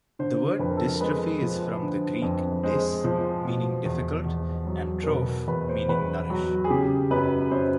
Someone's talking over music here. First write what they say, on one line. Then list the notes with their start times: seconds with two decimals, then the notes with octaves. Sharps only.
The word "dystrophy" is from the Greek "dys", meaning "difficult" and "troph" meaning "nourish".
0.19 D3 C5
0.59 F2 B4
0.69 A#4
0.77 A4
0.85 A#4
1.00 G#3 B4
1.42 F3
1.82 D3
2.22 F2
2.63 G#3 C5
3.04 F3
3.45 B2
3.85 E2
4.26 E2
4.67 F#3
5.03 A#4
5.07 B2 B4
5.48 E2 B4
5.69 C5
5.89 E2 B4
6.30 F#3 F#4
6.64 G#4
6.70 C#3 G4
7.11 F#2 B4
7.51 F#2 C5